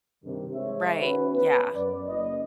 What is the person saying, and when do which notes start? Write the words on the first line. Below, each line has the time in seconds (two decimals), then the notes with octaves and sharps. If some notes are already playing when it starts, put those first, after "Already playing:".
Right, yeah.
0.24 G2 C3 D#3
0.54 G#3 C5 C#5 E5
1.00 D#3 C#4 F#4 B4
1.31 B3 B4
1.75 F#2 D5
2.07 F#1 D#5